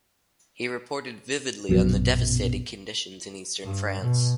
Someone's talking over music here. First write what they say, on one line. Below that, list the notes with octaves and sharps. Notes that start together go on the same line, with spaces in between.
He reported vividly on the devastated conditions in eastern France.
A#1 F#2 B2
G2
B2